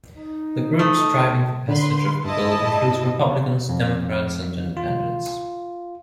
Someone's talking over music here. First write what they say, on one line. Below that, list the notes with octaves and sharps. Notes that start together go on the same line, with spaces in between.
The group striving for passage of the bill includes Republicans, Democrats, and Independents.
D#4
A3 D#6
D3 B4 C6
G2 E4 D#5 A5
F2
F4